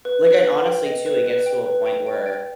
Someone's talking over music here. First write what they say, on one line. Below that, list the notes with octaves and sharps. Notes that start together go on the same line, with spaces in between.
like, and, honestly, too, it gets to a point where
B4
B4
B4
G5
D#5
B4
B4
G5
B4
G5
G5
G5